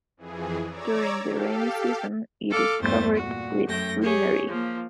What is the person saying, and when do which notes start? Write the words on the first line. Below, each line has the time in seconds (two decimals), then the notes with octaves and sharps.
During the rainy season, it is covered with greenery.
0.17 F2 E3 G#4
0.69 C#5 D5 A#5 D6 E6 G#6
1.23 G4 A4 F5
2.49 A4 F5 D6
2.79 E2 G2 A3 C5 A6
3.15 A#2 F#4
3.64 F#2 A3 G5 A#6
4.02 G4 G#4 C#5
4.48 F3 A#3